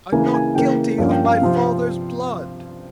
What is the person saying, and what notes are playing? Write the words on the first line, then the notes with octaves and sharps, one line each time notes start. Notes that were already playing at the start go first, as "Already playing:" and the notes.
I'm not guilty of my father's blood....
C#3 E3 A#3 G#5
G#5
C#3 E3 A#3 G5
G2 F3 A#3 C#4 F5
G5
F5
C3 F3 C4